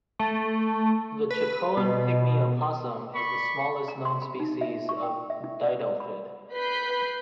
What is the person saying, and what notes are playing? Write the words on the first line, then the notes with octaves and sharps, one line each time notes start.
The Chacoan pygmy opossum is the smallest known species of didelphid.
A3
B4
B2
D5 B5 C#6
A#5
C6
B5
D#4
E5
C#6
G5
E5
E4
D5
B5
B4 G6 B6 C7